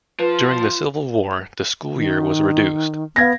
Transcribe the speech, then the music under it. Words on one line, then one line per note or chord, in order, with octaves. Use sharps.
During the Civil War, the school year was reduced.
F3 F4 B4
D#3
B3 F5 G#6 A#6